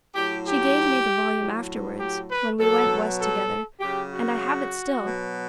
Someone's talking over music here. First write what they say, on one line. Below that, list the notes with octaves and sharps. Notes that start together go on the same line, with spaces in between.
She gave me the volume afterwards, when we went West together, and I have it still.
A2 F#3 G4
G4
A2 F#3
G4
B4
B2 F#3 A4
A4
C#3 F#3 G4
F#4
B2 F#3